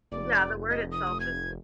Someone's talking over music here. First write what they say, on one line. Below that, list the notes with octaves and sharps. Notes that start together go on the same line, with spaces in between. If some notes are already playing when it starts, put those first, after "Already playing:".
Yeah, the word itself is
F1 D5
D#5
D#6
G#6